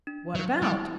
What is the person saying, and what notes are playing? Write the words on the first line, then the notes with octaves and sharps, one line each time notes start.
"What about?"
D4
F#3
G3 E4